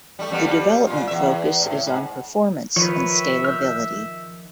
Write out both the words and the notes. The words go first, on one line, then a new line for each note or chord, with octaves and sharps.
The development focus is on performance and scalability.
G3 A3
F2 G3 B3
A#2 F4
E2 E5
A2
G#2
D#3 F3 B4 C#5 E5
F6 G6